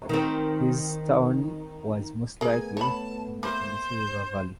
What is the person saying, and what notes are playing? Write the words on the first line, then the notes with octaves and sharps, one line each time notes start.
His town was most likely in the Tennessee River Valley.
D#3 C4
A3 B3 G#4 A#4 G#5
C#5 A5 B5
A#3 E4 C5